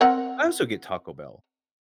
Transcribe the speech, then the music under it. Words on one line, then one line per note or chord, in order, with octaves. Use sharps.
I also get Taco Bell.
C4 A#4 F#5